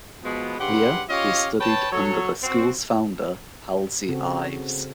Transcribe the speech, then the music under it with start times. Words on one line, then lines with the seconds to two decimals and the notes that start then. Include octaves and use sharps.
Here, he studied under the school's founder, Halsey Ives.
0.23 B2 F3 G#3 B3
0.59 G2 C#3 G4 B4 F#5 C6
1.09 C#4 F4 G4 C#5 D#5 F5
1.60 B4 C#5 G5 A5
1.92 F#3 A4 C#5
2.43 C4 F#4
4.09 C#3 C4 F#4 A4